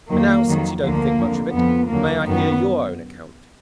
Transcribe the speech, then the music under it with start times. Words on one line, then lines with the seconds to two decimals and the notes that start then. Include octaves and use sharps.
"And now, since you don't think much of it, may I hear your own account?"
0.10 F2 D#3 F#3 A#3
0.46 F2 D#3 F#3
0.82 D2 D3 F3 A#3
1.18 F2 D3 F3
1.54 F2 F3 B3
1.91 D#2 D3 F#3 A#3
2.27 F#2 D#3 F#3 B3